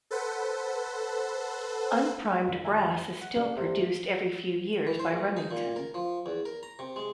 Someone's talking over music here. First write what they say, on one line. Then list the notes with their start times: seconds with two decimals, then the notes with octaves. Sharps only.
Unprimed brass is still produced every few years by Remington.
0.11 A4 B4 C5 F#5
2.48 F2 D#3 D4 F4
2.65 E5 G#5 A#5
3.22 F#5
3.36 C#3 G3 A#3 D4
3.56 G#1 C3 A3
4.87 E3
4.99 C5
5.11 A#1
5.37 D#4
5.51 A#2
5.76 A#4
5.94 F3
6.26 E2
6.46 A#4
6.63 A#5
6.79 C3
6.96 G#3